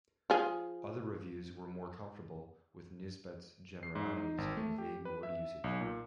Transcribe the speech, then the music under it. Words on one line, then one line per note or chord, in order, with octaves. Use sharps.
Other reviews were more comfortable with Nisbett's generalities and vague word usage.
F3 G#4
C7
G#2
D#4
G#1
A3
G4
B4
E5
B1
A#2